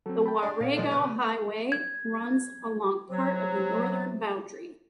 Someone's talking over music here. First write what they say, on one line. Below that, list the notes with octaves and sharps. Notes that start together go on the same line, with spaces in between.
The Warrego Highway runs along part of the northern boundary.
F#3 C4 A4
G5 A5 B5
D4
A#2 C#5 F5
F3 G#3 D4 A4 A#4 D#5
C#3 B4 D#7
G#6
C3 F#3